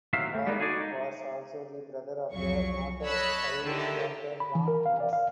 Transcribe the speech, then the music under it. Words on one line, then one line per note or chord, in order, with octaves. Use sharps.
Warwick was also the brother of the noted Irish doctor John Nash.
D#2 A2 F#3 C4 E5 F5
A3
G3 G#3 A#3 B3 D#4
D#4 F#4 G#4 A4 C#5 D5
D#4
C2 F2 F#3 C#6
C#5 D#5 A5 B5 E6 F#6
D3 D#3 E4 G4 A#4
B5
E3
A#4
F5
D5
F5